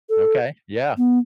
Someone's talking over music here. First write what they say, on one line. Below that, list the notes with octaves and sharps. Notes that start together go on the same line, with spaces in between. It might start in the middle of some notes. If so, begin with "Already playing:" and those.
Okay. Yeah,
A4
B3